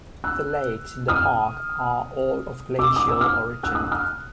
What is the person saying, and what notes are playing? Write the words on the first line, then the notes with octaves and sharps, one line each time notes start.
The lakes in the park are all of glacial origin.
E6 F#6
D#6 F6
D6 E6
D#6
E6
D#6 F6
E6 F#6
D#6
E6
D#6 F6